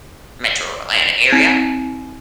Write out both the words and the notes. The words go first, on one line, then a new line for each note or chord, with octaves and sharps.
Metro Atlanta area,
C4